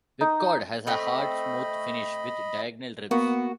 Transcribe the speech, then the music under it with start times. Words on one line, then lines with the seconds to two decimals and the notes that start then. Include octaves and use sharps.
Whipcord has a hard smooth finish with diagonal ribs.
0.21 D#4
0.87 A3 C4 D#5 B5
3.11 A#3 B3 F#4